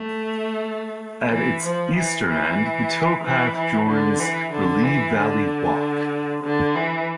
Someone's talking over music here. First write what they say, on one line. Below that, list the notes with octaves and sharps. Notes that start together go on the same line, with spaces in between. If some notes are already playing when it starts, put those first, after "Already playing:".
At its eastern end, the towpath joins the Lea Valley Walk.
Already playing: A3
E3
F3
E3
E3
E3
E3
D3
E3
D3
E3
D3
D3
E3